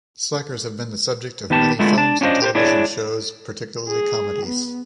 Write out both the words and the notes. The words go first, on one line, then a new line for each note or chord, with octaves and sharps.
Slackers have been the subject of many films and television shows, particularly comedies.
D#3 B3 G4 A5
D3 G#3 A3 B3 E4 F4
D4 A5
C#4 D4 F4 A4 C5 D#5
G4 B4 C5
D4 E4 G#4 C#5 D5
G#4
B3